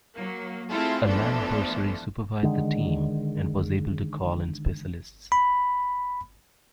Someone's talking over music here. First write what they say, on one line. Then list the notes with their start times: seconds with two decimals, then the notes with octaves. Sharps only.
Alan Borsari supervised the team and was able to call in specialists.
0.14 F#3 A#3
0.70 A3 C4 E4 F4 G#4 A4
1.06 E3 F3 A3 B3 D4 A4
2.43 D3 D#3 G#3
5.32 B5